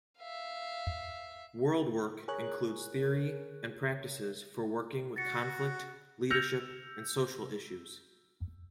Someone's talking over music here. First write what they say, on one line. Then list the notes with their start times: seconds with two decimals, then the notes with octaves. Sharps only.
Worldwork includes theory and practices for working with conflict, leadership and social issues.
0.19 E5 F5
2.28 G#4 A#4 C#5 F#6
5.16 F#4 A6 A#6 C#7
6.30 E6 F6 G6 A#6 C#7 F7